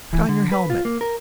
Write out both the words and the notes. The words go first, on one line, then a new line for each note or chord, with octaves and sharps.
"Put on your helmet!"
E3
D3
B4
F4
A#3
A#4